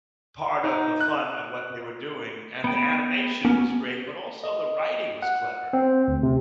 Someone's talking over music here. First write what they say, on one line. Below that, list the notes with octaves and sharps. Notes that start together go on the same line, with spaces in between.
part of the fun of what they were doing, and the animation was great, but also the writing was clever.
D#4
F#6
B3 G5
B3 C#4
D#5
F#5
C4
D2
C3